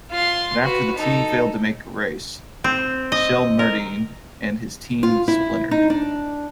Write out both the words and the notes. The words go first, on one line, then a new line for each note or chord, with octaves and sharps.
But after the team failed to make a race, Shelmerdine and his team splintered.
F4 C6
F#4 B4
D#4 A4
C4
D#5
A#4
F4
E4
D#4
D4